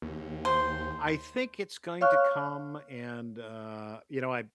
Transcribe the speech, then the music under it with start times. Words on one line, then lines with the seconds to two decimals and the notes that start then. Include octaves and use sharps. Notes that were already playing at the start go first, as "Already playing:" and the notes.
I think it's going to come and, uh, you know, I b
0.02 D#2
0.45 C5
2.01 C#5 F5 C#6 F6 F#6